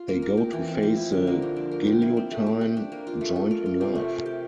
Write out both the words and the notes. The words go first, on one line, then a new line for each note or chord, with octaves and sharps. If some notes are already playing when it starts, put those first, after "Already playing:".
They go to face the guillotine joined in love.
Already playing: F4
A#3
A#4
G4
E3
C4
F3
E4
D3
A#3
F3
D4
A#4
G4
E4
C4
A3
G4
G4
D4
A#3
F4
A3
A4
A#4
F4
C3
A3
A#4
G4